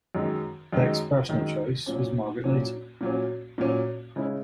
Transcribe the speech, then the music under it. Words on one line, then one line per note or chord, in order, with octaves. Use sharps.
Peck's personal choice was Margaret Leighton.
F#2 D#3 G#3
F#2 D#3 G#3
F#2 D#3 G#3
A#2 F#3 C#4
A#2 F#3 C#4
A#2 F#3 C#4
A#2 F#3 C#4
C#3 G#3 C#4 E4